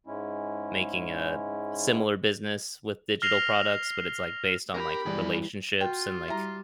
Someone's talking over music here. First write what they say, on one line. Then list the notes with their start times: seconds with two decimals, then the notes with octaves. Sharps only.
making a similar business with digital products, but it's, like, based on, like, relationships and, like,
0.07 G#2 G#3 C#4 E4
3.22 F6 A#6 C7 F7 G7
4.74 G4 A#4 B5
5.06 E2 E3 G3 G#4 D5
5.81 F4 F#4 G5
6.28 G3 E4 A#5